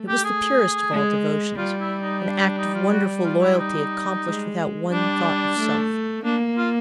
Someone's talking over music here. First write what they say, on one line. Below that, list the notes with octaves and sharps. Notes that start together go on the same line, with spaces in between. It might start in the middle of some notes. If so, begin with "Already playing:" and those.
It was the purest of all devotions; an act of wonderful loyalty accomplished without one thought of self.
Already playing: A3
G4
G#4
G#3
G3 F4
E4
D#4
D4
D4
D#4
F4
F#4
F4
E4
D#4
G#3
G3 D4
A3
A#3 D4
F4